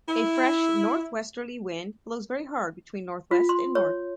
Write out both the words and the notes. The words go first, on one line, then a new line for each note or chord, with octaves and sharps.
A fresh northwesterly wind blows very hard between northwest and north.
E4
F4
C6
C#5